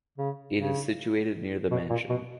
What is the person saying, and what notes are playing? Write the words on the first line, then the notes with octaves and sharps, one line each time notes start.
It is situated near The Mansion.
C#3
C#3
B2
A#2
B2